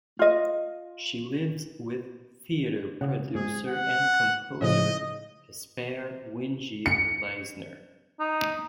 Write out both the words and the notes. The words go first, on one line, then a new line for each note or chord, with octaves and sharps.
She lives with theatre producer and composer Jesper Winge Leisner.
F4 D#5
C#3 F#5
G#2 G#4
F#5
A2 C#3 F3 D#5
C#7
D#4